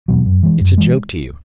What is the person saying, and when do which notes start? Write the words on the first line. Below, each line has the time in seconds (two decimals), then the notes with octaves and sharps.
It's a joke to you.
0.08 E2 B2 F#3
0.26 F#2
0.43 E3 G#3
0.61 F#2
0.78 E3 G#3